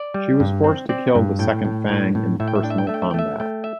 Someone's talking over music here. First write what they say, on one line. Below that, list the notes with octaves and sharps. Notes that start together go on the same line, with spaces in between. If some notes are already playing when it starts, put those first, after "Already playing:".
She was forced to kill the second Fang in personal combat.
Already playing: D5
G3
G2
C4
C4 D5
G2
A2 G5
A2
A2
A2
A2 E5
G5
E5
D4 G5
E5
G5
A3 E5
G5
E5
G5
A3 E5
A3 G5
E5